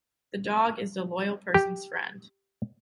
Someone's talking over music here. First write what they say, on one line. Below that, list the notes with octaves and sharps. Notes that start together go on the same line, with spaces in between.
The dog is the loyal person’s friend.
G4